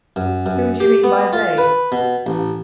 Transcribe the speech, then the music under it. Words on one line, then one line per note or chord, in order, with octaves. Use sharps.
"Whom do you mean by they?"
F#2
F#2
G4
B3
F4
B4
B2
A1